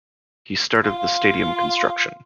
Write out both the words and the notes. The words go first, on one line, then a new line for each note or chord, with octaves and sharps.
He started the stadium construction.
F4